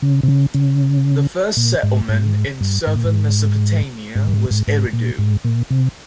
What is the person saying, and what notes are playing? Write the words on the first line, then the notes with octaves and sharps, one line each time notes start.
The first settlement in southern Mesopotamia was Eridu.
C#3
C3
C#3
C#3
A#2
G#2
G#2
G2
G#2
A#2
G#2
G#2
G2
G#2
G#2
G#2
A#2
G#2
A#2
C3